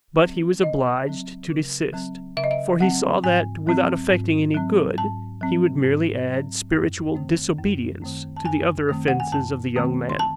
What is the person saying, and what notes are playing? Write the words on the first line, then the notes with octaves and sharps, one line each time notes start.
But he was obliged to desist; for he saw that, without effecting any good, he would merely add spiritual disobedience to the other offenses of the young man.
F#3 C4
C#3 D#5
F#3 C4
C#3
F#3 C4
C#3 E5
D#5
E5
F#3 C4 F#5
G#2 G#5
F#3 C4
G#2
F#3 C4
G#2 A5
F#3 C4
G#2
F#3 C4
F#2
D#3 A3 C4
F#2
D#3 A3 C4
A5
F#2 G#5
D#3 A3 C4
F#5
G#5
F#2 A5
D#3 A3 C4
C6
A5